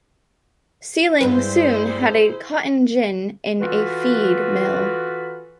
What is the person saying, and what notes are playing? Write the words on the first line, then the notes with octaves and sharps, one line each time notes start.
Seiling soon had a cotton gin and a feed mill.
G2 G3 G#3 E4 G#4 B4 C5
E3 F4 F#4 A4 B4